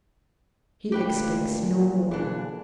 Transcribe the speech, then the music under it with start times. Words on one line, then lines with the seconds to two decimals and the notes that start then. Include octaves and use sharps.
"He expects no more."
0.92 A#2 D3 G#3 A3 G4 B4 G5
2.11 B2 D3 E3 D4 G#4